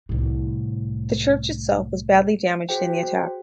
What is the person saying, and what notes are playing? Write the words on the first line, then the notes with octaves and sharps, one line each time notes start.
The church itself was badly damaged in the attack.
C2 A2
F#4 G#4 C5 G5